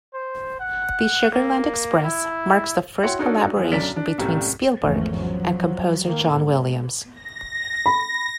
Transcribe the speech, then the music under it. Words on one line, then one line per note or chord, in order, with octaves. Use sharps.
"The Sugarland Express" marks the first collaboration between Spielberg and composer John Williams.
C5
F#5
A#3
E4
E4 F#4 C#5 F#5 G5 C6
D4 D#4 F#4 A4 A#4 C#5
E3 F3 B3
B1 F#2 D3 D5 B6
D4
C2 F#2 A2 G3 A#3
G#1 E2 G#2 F3 A3 C#4
F3 F#3
D#3 A#3
G#2
A#6
B5